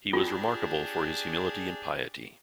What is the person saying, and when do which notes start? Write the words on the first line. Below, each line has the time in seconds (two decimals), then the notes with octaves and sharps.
He was remarkable for his humility and piety.
0.13 D4 F4 G4 G#4